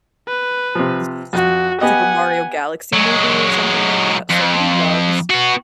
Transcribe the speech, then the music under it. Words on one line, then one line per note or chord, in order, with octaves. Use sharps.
The Su Super Mario Galaxy Movie or something like that, so he loves
B4
C3 F3
F2 F#4
B3 G4 D#5 F#5 G#5
F#3 G#3
F2
B3 F#4